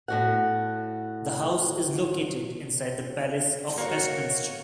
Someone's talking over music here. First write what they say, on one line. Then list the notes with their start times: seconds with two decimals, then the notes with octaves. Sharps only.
The house is located inside the Palace of Westminster.
0.08 A2 F#4 F#5
3.78 A#3 F#4 C#5